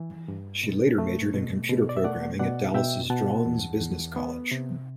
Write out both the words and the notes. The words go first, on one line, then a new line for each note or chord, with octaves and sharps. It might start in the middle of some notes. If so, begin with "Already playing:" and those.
She later majored in computer programming at Dallas's Draughon's Business College.
Already playing: E3
G2
B2
A3
B2
B2
D5
E5
A3 D5 F#5
B2 D5 F#5
B2 E5 G5
B2 F#5 A5
E2
E2
B3
C3